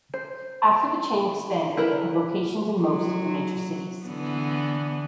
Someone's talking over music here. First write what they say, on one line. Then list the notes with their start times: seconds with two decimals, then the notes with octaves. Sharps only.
After the chain expanded they had locations in most of the major cities.
0.14 C5
1.77 E4 A#4 B4
2.81 F#3
4.06 D3 E3 B3